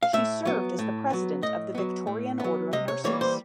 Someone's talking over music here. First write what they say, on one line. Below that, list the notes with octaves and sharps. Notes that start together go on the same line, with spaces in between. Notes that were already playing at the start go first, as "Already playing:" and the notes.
She served as the President of the Victorian Order of Nurses.
F5
A2 E5
F#3 B3
A2
F#3 B3
A2 D#5
F#3 B3
A2
F#3 B3
C3 D#5
C#5
E3 G3 A#3 C#5
C5